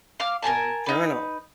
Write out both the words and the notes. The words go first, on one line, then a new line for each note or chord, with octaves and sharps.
um, journal.
F5 D6 F6
A#4 B4 G#5 A5
D#4 B4